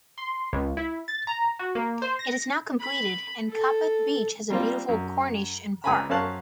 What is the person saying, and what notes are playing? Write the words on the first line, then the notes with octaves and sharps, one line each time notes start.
It is now completed and Kappad beach has a beautiful corniche and park.
C6
C#2
E4
A6
A#5
F#4
A#3
C5
A#6
B5
A4
G3 A#3 C4 F4
F#2
C#2 B4 G#5 A#5 B5
F#2 C#4 C5 F5 A5 F#6